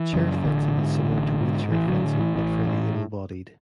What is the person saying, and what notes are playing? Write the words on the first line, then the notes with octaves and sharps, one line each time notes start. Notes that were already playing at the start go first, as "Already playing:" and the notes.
Chair fencing is similar to wheelchair fencing, but for the able bodied.
Already playing: E3
F#2 C#3
A1 D3
G#2
A1
G#2
A1 E3
D3 F#3
A2 D3
E3
A1 E3
A2